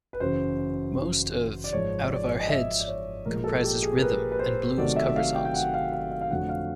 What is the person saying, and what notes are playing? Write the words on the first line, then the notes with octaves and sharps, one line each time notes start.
Most of "Out of Our Heads" comprises rhythm and blues cover songs.
B4
F#2 C#3 E3 C5
D5
G#2 F3 G#3 C#5
D5
D#5
E5
D5
C#5
A#2 F3 G#3 A#4
A4
G4
G#4
A#4
B4
B4
C5
C3 D#3 F#3 A3 D5
E5
F5
G5
G5
F#5
F5
F5
F5
F5
F2 D3 F#3 A3 F#5
F5